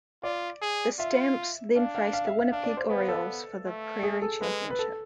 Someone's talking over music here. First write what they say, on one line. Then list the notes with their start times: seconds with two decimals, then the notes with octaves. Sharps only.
The Stamps then faced the Winnipeg Orioles for the Prairie championship.
0.23 F4 D5
0.62 G#4
0.99 F4 E5
1.75 D4 F5
1.95 F5
2.13 F5
2.27 E5
2.39 F5
2.52 D4 F5
2.64 D5
2.77 C5
2.89 B3 B4
3.08 A4
3.66 A3
4.03 G#4
4.22 A4
4.41 G#3 B4
4.70 B4
4.79 A4